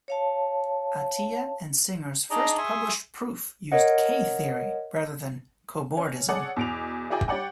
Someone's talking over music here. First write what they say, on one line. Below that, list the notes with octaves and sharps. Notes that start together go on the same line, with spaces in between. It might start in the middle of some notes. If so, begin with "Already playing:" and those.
Atiyah and Singer's first published proof used K-theory rather than cobordism.
C#5 F5 A5
D4 D#4 G#4 D5 D#5 A#5
G#4 E5 G#5 C6 C#6 D#6
A#4 C#5 D#5 F#5
C#4
G#4 A4 C#5 D5 F#5 D6
E2 B2 D7 F7
E4 F#4 G#4 D5 G5 G#5
G3 C#5 D5 F#5 G5